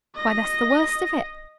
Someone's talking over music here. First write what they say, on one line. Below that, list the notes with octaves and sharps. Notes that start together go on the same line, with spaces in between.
'Why, that's the worst of it.
D#5 A#6